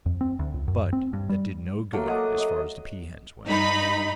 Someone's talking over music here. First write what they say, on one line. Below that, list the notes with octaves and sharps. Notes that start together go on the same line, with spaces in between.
But that did no good as far as the pea-hens went.
F2
C4
D2
C#2
F#2
C4
G2
G3
F#3 A3 A#3
D#5 F#5 A5 D6
D#5
G2 D#4 B5